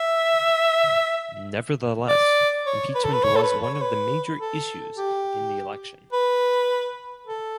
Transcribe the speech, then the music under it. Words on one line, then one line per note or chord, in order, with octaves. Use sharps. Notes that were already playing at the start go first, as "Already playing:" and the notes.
Nevertheless, impeachment was one of the major issues in the election.
Already playing: E5
D5
C#5
B4
A4
B4
C#5
A4
B4
C#5
C#5
B4
A4
G4
B4
A4